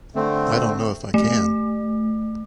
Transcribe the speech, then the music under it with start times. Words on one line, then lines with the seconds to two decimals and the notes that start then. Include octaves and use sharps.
I don't know if I can.
0.15 D3 A3 C4
1.14 A3